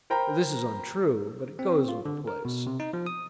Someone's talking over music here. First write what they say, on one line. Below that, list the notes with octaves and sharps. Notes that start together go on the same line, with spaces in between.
This is untrue, but it goes with the place.
A#4 C5 G5 A#5 B5
C4
F4
D3
A#4
B2
C3
D#4
F3
D#6